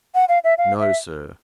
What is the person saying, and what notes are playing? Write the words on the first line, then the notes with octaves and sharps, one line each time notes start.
No, sir!
F#5
F5
E5
F5
E5